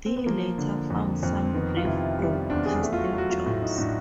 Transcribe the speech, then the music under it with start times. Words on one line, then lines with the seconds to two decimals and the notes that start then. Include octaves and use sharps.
Dee later found some brief broadcasting jobs.
0.06 C4
0.16 B3
0.26 F3 A#3
0.58 D3
0.90 F2
1.23 F2
1.43 C4
1.54 D#3 B3
1.77 F4
1.86 C3 E4
2.19 G3
2.50 E2 D4
2.66 G#4
2.81 A3
2.93 F4
2.98 F#4
3.13 F#3 F#4
3.30 F4
3.46 A2
3.62 D#4
3.78 A2 D4